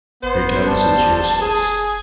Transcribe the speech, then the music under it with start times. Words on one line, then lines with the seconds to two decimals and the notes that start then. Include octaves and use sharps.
Pretence is useless.
0.23 G#1 B3 C5
0.67 F#1 G3 C5 A5
1.41 G#4 G#5